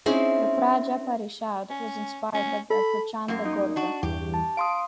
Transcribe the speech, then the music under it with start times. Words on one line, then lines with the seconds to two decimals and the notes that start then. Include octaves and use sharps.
The Praja Parishad was inspired by the Prachanda Gorkha.
0.06 C4 C#4 D#4 E4 G#4 C5
1.70 C#4
2.34 C#4
2.70 A4 B5
3.28 F#2 A#3
3.45 D#4
3.76 D4 F#4
4.03 E2 G2 G4
4.34 A5
4.57 F5 C6 D#6 D7